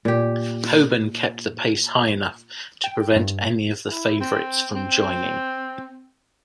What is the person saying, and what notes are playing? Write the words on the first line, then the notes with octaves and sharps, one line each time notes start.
Hoban kept the pace high enough to prevent any of the favourites from joining.
A#2 G4
G5
G2
E4
C4
C4